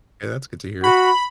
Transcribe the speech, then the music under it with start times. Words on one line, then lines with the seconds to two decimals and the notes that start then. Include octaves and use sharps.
Yeah, that's good to hear.
0.84 F#4 B5